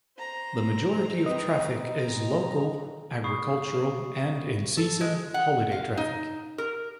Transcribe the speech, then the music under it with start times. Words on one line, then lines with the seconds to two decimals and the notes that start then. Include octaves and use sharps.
The majority of traffic is local, agricultural and, in season, holiday traffic.
0.18 C5 A#5
1.26 C4 B4 D#5
1.96 A#5
3.24 B5 C#6 D#6 C7
4.77 A4
5.01 G#3
5.34 F#5
5.72 F5
5.97 D#4
6.58 A#4